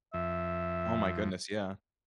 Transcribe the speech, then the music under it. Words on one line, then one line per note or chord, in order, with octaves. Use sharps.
Oh, my goodness, yeah.
F2 E5